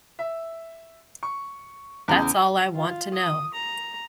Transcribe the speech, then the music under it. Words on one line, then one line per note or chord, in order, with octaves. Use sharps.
That's all I want to know.
E5
C#6
E2 C#3 D#6 G6
F4
D#6
A#5